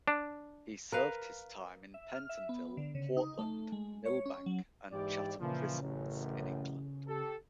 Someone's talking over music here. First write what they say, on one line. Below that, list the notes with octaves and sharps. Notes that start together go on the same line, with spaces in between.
He served his time in Pentonville, Portland, Millbank and Chatham prisons in England.
D4
A#4 B4 F5
E5
F6
E5
B3
D3
C#3
D#4
A3
G#3
C#5
C#4
F#3
G#2 E3 G4 D5
A#2 C#3 E3 F3
A1 F#2
G4 A4